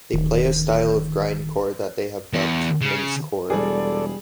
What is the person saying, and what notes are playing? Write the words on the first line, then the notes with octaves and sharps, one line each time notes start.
They play a style of grindcore that they have dubbed "mincecore".
D1 D#3
E2
C#3
E1 G3 G#4 A4 D5